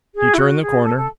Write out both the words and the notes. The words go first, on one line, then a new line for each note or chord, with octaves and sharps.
He turned the corner.
G#4
E4
F#4
G#4
A4
A4